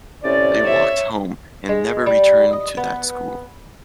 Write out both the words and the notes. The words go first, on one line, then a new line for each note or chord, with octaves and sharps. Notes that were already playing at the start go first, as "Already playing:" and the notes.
They walked home, and never returned to that school.
A2 C3 C#4 D5
C#5 E5
G#3
G3
D#5
B3